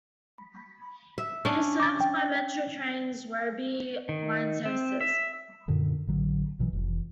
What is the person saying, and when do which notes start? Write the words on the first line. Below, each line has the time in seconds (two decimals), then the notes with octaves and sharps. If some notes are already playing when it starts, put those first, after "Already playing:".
It is serviced by Metro Trains' Werribee line services.
1.18 E5
1.45 C#4 D4
1.80 D6 A6
2.00 G5
4.09 D#3
4.65 C4
5.01 E5
5.68 F#2 A#2 D3 D#3
6.07 A1 D3 F#3
6.59 B1 B2 E3 F#3
6.73 F1 E3